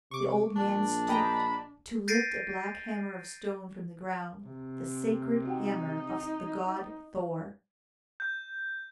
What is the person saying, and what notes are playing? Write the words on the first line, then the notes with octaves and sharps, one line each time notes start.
The old man stooped to lift a black hammer of stone from the ground,--the sacred hammer of the god Thor.
C3 C#6 D6
A#1 D4
D#5 G5 A#5 B5
G6 A6 A#6 C7 D7 D#7
C3
D#4 F#4 F#5 G5
G6